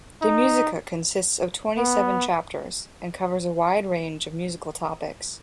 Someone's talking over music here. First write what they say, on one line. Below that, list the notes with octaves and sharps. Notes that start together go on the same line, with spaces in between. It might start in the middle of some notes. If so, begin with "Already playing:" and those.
"De musica" consists of twenty-seven chapters, and covers a wide range of musical topics.
D#4
B3